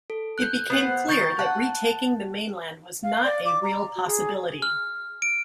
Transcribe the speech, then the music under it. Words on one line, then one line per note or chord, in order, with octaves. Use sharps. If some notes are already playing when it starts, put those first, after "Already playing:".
It became clear that retaking the mainland was not a real possibility.
A4
F#6 G6
B3 C5 F#5
D#3 C#6 G6 A6
F#5 A5
F5
D5
D6
A#5
F#4
G#4
F6
D7